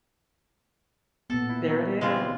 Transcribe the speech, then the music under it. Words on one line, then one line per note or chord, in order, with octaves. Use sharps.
There it is.
A#2 B3 A4
E4
F#3 E4
C#3 E3 G#3 C4 F4